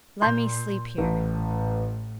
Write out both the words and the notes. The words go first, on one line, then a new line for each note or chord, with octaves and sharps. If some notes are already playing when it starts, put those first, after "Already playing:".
"Let me sleep here."
A#2 C6 G6
A1 A2